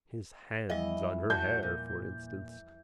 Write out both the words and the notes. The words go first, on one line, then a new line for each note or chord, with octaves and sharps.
His hands on her hair, for instance.
E3 F3 G3 D#5
E2 F#4 A5 G6
A#2